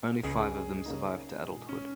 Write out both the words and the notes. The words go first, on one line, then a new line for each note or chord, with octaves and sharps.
Only five of them survived to adulthood.
C#2 C#3 G#3 G#4
C#3 F#3 A#3 D#4
A#2 G#3 D#4
C#4